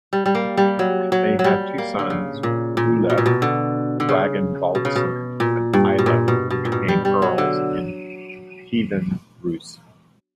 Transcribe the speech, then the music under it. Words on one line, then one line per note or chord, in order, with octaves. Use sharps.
They had two sons, Uleb Ragnvaldsson and Eilif, who became earls in Kievan Rus'.
G3
G3
A#3
G3
F#3
F#3
F#3
G3
A#3
D3
C#3
A#2
A#2
B2
A#2
B2
D3
D3
C#3
B2
C#3
B2
A#2
G2
B2
A#2
B2
B2
A#2
B2
G3
G3
F#3
D3